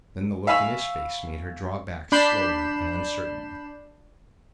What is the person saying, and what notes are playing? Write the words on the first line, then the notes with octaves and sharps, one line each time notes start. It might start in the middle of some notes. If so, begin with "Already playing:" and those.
Then the look in his face made her draw back, slowly and uncertainly.
E5 F5 G#5 B5 C#6 E6
D4 B5 G6 C7 E7